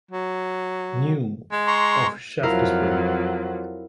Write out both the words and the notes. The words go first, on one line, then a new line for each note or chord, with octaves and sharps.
New of Shaftesbury.
F#3
G#3
A#5 C6 C#6
F2 F3 F#3 E4 A#4 F5